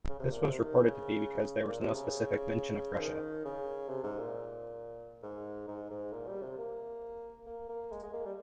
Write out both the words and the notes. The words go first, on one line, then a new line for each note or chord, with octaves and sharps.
This was reported to be because there was no specific mention of Russia.
C#3
C3
A#2
C3
D#3
C#3
A#2
C3
C#3
F3
D#3
C#3
C3
G#2
A#2
G#2
G#2
G#2
A#2
G3
C3
A#3
A#3
A#3
G#3
G#3
A#3
G3